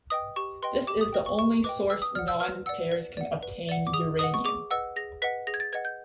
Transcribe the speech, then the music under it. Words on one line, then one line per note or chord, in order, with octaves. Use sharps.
This is the only source non-payers can obtain uranium.
B4 D#5 G5 D#6
G4 C#6
B4 D#5 G5 C6
G4 D6
D#6
B4 D#5 G5
C#6
G4 C#6
B4 D#5 G5 D6
B4 E6
D#6
D5 F#5 F6
E6
B4 F6
D5 F#5 E6
B4
D5 F#5
B4
D5 F#5
D6
G#4 D#6
B4 D#5 F#5 D#6
C#6
G#4 D6
B4 D#5 F#5 E6
G#4 A#6
B4 D#5 F#5 B6
G#4 A#6
G#6
A6
B4 D#5 F#5 G#6
G6